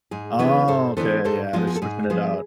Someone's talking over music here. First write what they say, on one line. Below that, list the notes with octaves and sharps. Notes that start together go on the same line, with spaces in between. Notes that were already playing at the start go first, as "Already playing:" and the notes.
Okay, yeah, they're switching it out.
G#2 G#4
E3 B3 D4 G#4 B4
G#2 A4 C5
E3 B3 D4 A4 C5
G#2 A4 C5
F3 G#3 B3 F4
G#4
A4
G#2 G#4
F3 G#3 B3 G#4 B4